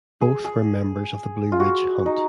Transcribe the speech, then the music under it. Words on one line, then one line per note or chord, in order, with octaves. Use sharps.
Both were members of the Blue Ridge Hunt.
G#4
G#4
F4
F#4
D#4